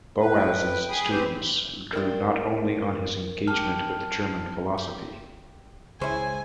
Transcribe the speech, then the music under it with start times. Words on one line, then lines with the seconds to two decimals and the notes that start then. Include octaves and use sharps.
Boas's students drew not only on his engagement with German philosophy.
0.20 B4
0.36 G5
0.90 G#4 B5 D#6
1.10 C4 G4 B4 C5
1.93 C4 E4 F4 A#4 D5
3.47 G4 A5 F6
4.78 G4
6.01 C#2 G#3 C#4 E4 C5 G#5